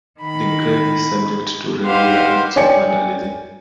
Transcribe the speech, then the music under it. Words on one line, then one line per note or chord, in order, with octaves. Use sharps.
The grave is subject to regular acts of vandalism.
D#3 B5
D#4 G4 B4 C5 F5 F#5
C#5 D5 G5 G#5 C#7